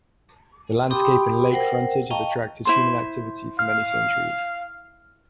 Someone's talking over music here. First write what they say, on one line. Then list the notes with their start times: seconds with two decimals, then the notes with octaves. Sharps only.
The landscape and lake frontage have attracted human activity for many centuries.
0.90 G4 G5 B5 C6 D6 D#6
1.52 A#4 C5 F#5 G5
2.10 D#5 F5 G5 A5 A#5 C#6
2.65 E4 C5 C6
3.59 F5 F6